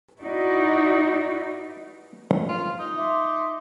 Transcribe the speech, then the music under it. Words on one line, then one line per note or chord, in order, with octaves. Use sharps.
In Germany Andorra remains one of the best known of Frisch's plays.
D#4 E4 F#4 D5
F4
D#4
E5 C6 D6